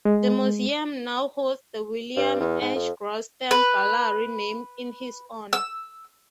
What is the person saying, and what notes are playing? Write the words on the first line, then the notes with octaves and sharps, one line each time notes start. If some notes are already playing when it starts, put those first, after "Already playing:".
The museum now hosts the William H. Gross Stamp Gallery named in his honor.
G#3
G2
E2
G#2
F2
B4
E6